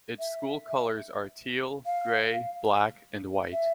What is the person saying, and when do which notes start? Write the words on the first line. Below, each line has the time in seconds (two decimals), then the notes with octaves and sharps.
Its school colors are teal, gray, black, and white.
0.19 E5
1.86 F5
3.53 E5